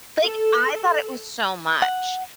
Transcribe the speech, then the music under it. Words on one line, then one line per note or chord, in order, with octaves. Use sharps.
Like, I thought it was so much,
A4
F#5